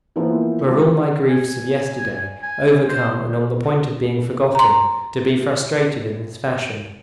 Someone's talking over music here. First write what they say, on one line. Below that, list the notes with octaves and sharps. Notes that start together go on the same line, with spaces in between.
Were all my griefs of yesterday, overcome and on the point of being forgotten, to be frustrated in this fashion?
E3 F3 A#3 B3 A#4 C5
F3 G#3
G#5
G#5
C5
A#5 C6